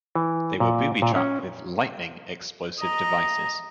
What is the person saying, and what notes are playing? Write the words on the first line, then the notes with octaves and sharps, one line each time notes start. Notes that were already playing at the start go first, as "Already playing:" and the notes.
They were booby-trapped with "Lightning" explosive devices.
E3
A#2
A#2
C#4
D#5 A#5